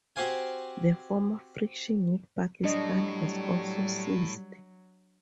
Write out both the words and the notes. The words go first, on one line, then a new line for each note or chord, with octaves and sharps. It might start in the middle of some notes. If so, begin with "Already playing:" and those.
The former friction with Pakistan has also ceased.
C4 F#4 G4 C5 F5 G#5
A2 F#3 G3 D4 D#5